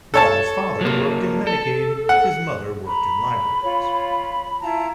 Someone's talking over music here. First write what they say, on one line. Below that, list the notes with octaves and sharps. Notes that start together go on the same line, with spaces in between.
Ball's father worked in Medicaid; his mother worked in libraries.
A4 C#5 A5
F#3 A#3
A4
F#5
A#5 B5
F4 C#5
E4 F4 A5 A#5